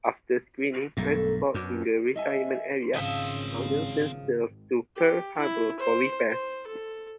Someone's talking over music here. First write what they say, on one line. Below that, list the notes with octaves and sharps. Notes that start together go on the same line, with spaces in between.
After screening transports in the retirement area, "Hamilton" sailed to Pearl Harbor for repairs.
B1 G2 A3 A#3 A4
F#2 B2 C#4 D4
D#5 E5 G#5
G#1 C#3 F3 C4 D#5 E5 G#5
G4
E4
C5
C5
A4